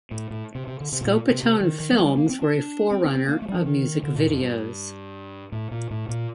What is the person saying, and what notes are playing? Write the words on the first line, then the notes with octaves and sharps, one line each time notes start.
Scopitone films were a forerunner of music videos.
A2
A2
C3
C3
D3
C3
A2
A#2
C3
C3
D#3
D#3
G3
F3
G3
A#3
C4
D4
C4
C4
C4
A#3
A3
G3
F3
D#3
D3
A#2
F2
G2
A2
A#2
A2
A#2